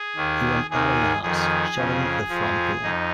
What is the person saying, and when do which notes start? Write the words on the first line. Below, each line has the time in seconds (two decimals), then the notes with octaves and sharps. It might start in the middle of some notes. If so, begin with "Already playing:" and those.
He went out of the house, shutting the front door.
Already playing: G#4
0.16 D#2 D#3
0.70 D#2 D#3 G#4
1.22 F2 D#3 G#4
1.76 F2 C#3 F3
2.29 F2 F3
2.83 F2 D#4